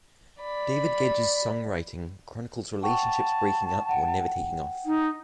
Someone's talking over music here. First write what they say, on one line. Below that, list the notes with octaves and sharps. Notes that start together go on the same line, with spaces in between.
David Gedge's songwriting chronicles relationships breaking up or never taking off.
D5 B5
F#5 G5 A5 C#6
F#5 G5
D#4